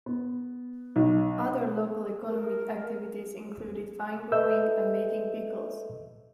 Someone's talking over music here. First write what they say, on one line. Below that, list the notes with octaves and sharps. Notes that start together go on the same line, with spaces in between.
Other local economic activities included wine growing and making pickles.
B3
B1
A#4
A4 B4 D#5 E5 E6 G6